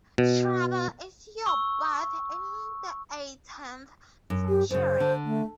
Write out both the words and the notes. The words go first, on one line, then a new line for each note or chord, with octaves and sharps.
Trouble is you're both in the eighteenth century.
B2
C#6 E6
F#2
G4
F#2 C#3 C5
D3
A3